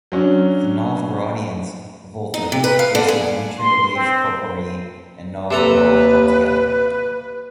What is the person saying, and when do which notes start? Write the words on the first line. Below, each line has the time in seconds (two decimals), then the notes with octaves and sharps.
The Novgorodians revolted, forcing Dmitry to leave Koporye and Novgorod altogether.
0.12 F#3 C#4 D4
2.34 D#4
2.52 C3
2.64 B4
2.79 F5
2.95 D3
3.08 G#4
3.59 C6
3.95 C4
5.51 D#2 C3 A4 B4 A#5